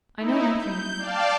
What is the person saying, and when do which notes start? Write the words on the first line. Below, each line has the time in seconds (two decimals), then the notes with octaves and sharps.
I know nothing.
0.17 D#4 E4
0.55 G6
0.98 D5 F5 G5 A5